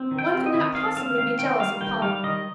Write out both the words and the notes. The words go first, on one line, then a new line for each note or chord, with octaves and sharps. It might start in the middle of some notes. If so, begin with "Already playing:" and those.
One could not possibly be jealous of Paula.
Already playing: C4
D#3
G5
C4
D#5
D#3
C4 F5
C4 F5
D#3 F5
D#3 G5
G3 F5
D#3 G5
G3 F5
D#3 D#5